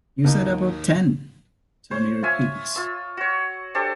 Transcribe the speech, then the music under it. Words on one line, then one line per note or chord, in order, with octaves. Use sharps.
"You said about ten," Tony repeats.
D#2 D#4
C5 C#5
F4 C#5 E5 G#5
F4 E6
F#4 C#5
D4 G4 A4 C5